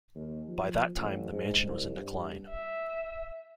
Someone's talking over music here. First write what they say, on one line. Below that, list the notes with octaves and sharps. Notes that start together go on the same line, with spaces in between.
By that time the mansion was in decline.
D#2
F3
A1
G#2
C2
G2
E5